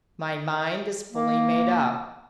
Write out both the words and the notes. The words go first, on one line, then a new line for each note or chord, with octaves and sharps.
"My mind is fully made up."
A#3